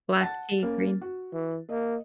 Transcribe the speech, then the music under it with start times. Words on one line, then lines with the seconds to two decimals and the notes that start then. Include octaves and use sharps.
Black tea, green
0.21 F#5 A5 A6
0.63 A#3 C#4
1.02 F#4
1.32 E3
1.69 A#3 D#5